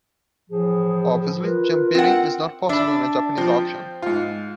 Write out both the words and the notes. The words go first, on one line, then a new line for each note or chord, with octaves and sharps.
Obviously, jump-bidding is not possible in a Japanese auction.
A2 E3 F3 G#4
F4 A#4 B4
C4 F#5
D4 E5 B5
F3 C4
G#2 F4